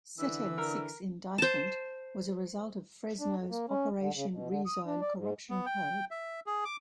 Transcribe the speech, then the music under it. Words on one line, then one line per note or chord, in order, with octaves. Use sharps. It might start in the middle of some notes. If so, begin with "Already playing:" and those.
Setencich's indictment was a result of Fresno's Operation Rezone corruption probe.
D3 E3 E6
A#4
C5 A5
D4
F2
A#3
C#4
D3
C#3
B2
D3
D#6
D4
D5
G#2
B3
G5
E5
G#4
D6